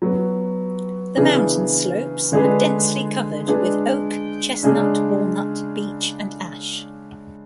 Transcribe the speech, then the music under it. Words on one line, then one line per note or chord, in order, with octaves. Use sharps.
The mountain slopes are densely covered with oak, chestnut, walnut, beech, and ash.
F#3 B3 F#4
C#3 E3 B3 D4 G#4
D3 G#3 D4 G#4 B4
G#3 D4 G#4 B4
C#3 G#3 D4 G#4